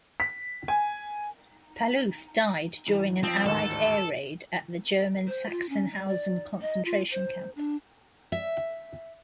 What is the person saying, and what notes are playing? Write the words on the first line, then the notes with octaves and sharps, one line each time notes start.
Palluth died during an Allied air raid at the German Sachsenhausen concentration camp.
B6
G#5
G#2 E3
F3 C4
A1 D#2 G#2 A4
C5
F4
C#4
G3
D5
D#5
F4
C5
D4
E5